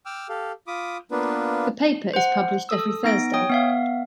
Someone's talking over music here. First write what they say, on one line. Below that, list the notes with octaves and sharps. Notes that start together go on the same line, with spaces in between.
The paper is published every Thursday.
G5 D6 E6 F6
G4 A4 F5
F4 B5 D6 D#6
A#3 B3 D4 F4 B4
C5 F#5
A4 D#6 E6
B3 D#4 A#6 D7
C#5 G5 D#6
B3 E5 F5